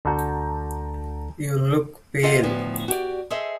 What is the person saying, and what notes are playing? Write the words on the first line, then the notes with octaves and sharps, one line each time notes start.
You look pale.
D2 D3 F#4 A5 A#5 G6
F4 G4 A4 D#5 F5 F#5
D2 A2 F3 B3
F#4 G4 D5
G#4 A4 C5 D#5 E5